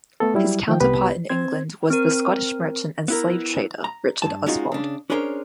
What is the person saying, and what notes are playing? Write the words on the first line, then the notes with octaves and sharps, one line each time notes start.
His counterpart in England was the Scottish merchant and slave trader Richard Oswald.
A3 B3 A4
F#3 G3 E4
D#3 F3 G5
C2 B3 G4 B4 B5
C4 C5 G#6
C4 A#4
B3 E4 A#4
A#5
G2 A5
G#3 C#4 D#4 F4 F#4
C#3 D4
C#4 D4 G#4 A#4 C5 C#5